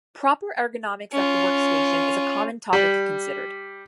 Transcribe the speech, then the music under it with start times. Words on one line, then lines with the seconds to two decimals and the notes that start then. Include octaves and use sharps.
Proper ergonomics at the workstation is a common topic considered.
1.12 C#4 F4
2.73 G3